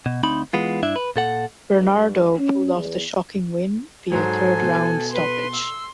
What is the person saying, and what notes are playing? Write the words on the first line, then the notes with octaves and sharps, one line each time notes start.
Bernardo pulled off the shocking win via third round stoppage.
B2
D2 C4 D#4 B5
E3 G#3 B3 F4
G2 D4 E4 E5
B4
A#2 A4 F#5
G2
C#4
E2
G#2 F#3 A4 C5 G#5
B2
B4 C6
E6